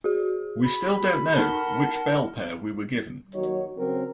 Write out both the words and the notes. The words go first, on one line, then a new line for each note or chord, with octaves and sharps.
We still don't know which Bell pair we were given.
F#4 G#4
B5
D#4 A#4 F#5 A5 F6 G7
D#2 F#3 D#4 F#4 C#5
C#3 F#3 C4 A#4